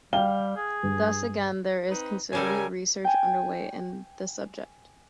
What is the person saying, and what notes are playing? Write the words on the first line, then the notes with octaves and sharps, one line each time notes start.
Thus, again there is considerable research underway in the subject.
G3 F5 G5 G7
G#4
G2
C4 D#4 B4
C#3 G3 A4 A#4 G#5
G5 G#5